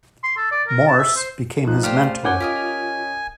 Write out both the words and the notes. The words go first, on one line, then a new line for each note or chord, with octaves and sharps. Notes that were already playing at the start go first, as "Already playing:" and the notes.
Morse became his mentor.
C6
A4
D5
A#4
A5
E5
C5
F3 D#4 F#6
A3 F4 G4 C5 D5 G5
C#4 F#5 G#5 D6 G6 G#6 G7
F4 G4 A#4 D#5